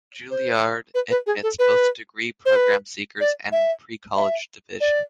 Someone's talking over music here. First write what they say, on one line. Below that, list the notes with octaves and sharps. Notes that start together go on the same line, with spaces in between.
Juilliard admits both degree program seekers and pre-college division.
C5
B4
B4
G#4
A4
B4
C5
B4
D5
E5
E5
D5